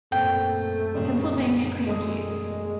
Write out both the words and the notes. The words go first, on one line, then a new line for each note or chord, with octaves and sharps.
Pennsylvania Cream Cheese.
F#2 A#2 A3 C4 G5
G1 A#2 C#3
E1 G#3 A3 D#6